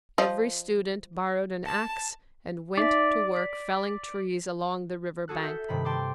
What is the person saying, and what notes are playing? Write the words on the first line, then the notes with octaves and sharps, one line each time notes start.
Every student borrowed an ax and went to work felling trees along the river bank.
F3 D#5
A5
D#4 D5 E5 B6
B6
F#4 G#4 A4 F#6
E5 G6
G2 C3 D#3 B5
G5 A5 C6 D6